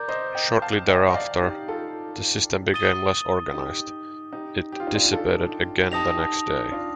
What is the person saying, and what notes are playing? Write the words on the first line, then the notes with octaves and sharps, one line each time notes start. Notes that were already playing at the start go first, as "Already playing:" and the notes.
Shortly thereafter, the system became less organized; it dissipated again the next day.
Already playing: A#4 D5 A#5 D6 G6
C5 D#5
D#5 G5
F5 A5
D#5 G5
D#5
D5 F5
D#4 G4
F4 A4
D#6 A6 D#7 G7
D#4 G4
D#4 G4
G4
F4
D#4
D4 F4
F4 A4
D#4 G4 A5 D#6 A#6 F7
D4 F4